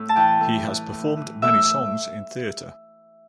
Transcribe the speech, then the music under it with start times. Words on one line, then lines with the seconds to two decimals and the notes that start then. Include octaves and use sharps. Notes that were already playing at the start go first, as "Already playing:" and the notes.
He has performed many songs in theatre.
Already playing: A2
0.09 A5
0.16 E3 G5
0.41 A2
0.67 E3
0.92 A2
1.17 E3
1.42 A2 E5